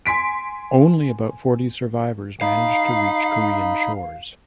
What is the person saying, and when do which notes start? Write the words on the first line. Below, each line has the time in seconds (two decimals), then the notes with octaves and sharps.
Only about forty survivors managed to reach Korean shores.
0.06 G#5 C6 B6 D7
2.41 D#4 F5 B5